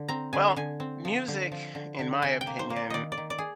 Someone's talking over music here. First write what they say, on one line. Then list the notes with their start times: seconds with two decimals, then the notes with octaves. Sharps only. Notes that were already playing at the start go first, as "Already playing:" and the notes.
Well, music, in my opinion,
Already playing: D3
0.08 C4 A#5
0.33 D3 G#5
0.56 D3 G#5
0.80 C4
1.05 F3
1.28 D3
1.52 F3
1.75 D3
1.99 D3
2.22 C3 G#5
2.41 G5
2.47 A#3
2.59 C5
2.70 A#3
2.76 D5
2.90 D#3 D5 D#5
3.12 D5
3.18 D#3
3.30 D5
3.38 G#4